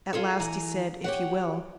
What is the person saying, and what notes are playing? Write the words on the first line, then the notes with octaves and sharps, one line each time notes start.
At last he said, "If you will."
F4 G#4 A4
E3 G#5 A#5
G4 C#5 F#5